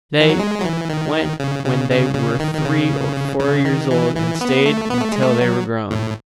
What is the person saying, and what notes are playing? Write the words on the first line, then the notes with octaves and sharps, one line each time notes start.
They went when they were three or four years old and stayed until they were grown.
E3
F#3
G#3
F#3
E3
D#3
C#3
C#3
C#3
C#3
D#3
D#3
C#3
C#3
D#3
E3
E3
B3
A3
B3
A3
G#3
A3
F#3
A2